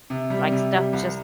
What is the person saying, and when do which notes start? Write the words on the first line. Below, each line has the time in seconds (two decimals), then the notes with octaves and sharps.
like, stuff just
0.10 C3
0.30 G3
0.52 C3
0.73 G3
0.93 C2